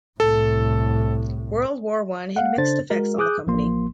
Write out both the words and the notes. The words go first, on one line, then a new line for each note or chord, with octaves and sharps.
World War One had mixed effects on the company.
C2 A2 A4
A#3 F5 F#5
C#3 D4 A4 C5 A6
G#3 F#4 A#4
G#4 D6 D#6 F#6 G6
A1 F3 A#3 C6